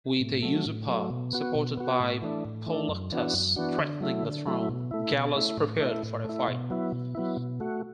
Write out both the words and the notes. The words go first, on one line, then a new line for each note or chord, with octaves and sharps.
With a usurper, supported by Pauloctus, threatening the throne, Gallus prepared for a fight.
A2
F#3 A3
A2
F#3 A3
B2
B3 F#4
B2
B3 F#4
A2
E3 A3 D4
A2
E3 A3 D4
F#2
E3 B3 D4 F#4
F#2
E3 B3 D4 F#4
D3
F#3 A3 E4
D3
F#3 A3 E4
B2
A3 E4
B2
A3 E4
A2
A3 E4
A2
A3 E4
B2
F#3 B3 E4
B2
F#3 B3 E4
B2
A3 F#4